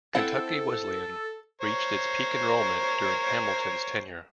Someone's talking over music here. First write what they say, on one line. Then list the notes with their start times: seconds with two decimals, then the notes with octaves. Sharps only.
Kentucky Wesleyan reached its peak enrollment during Hamilton's tenure.
0.15 C4 E4 A4 F#5
1.61 A#4 C5 C#5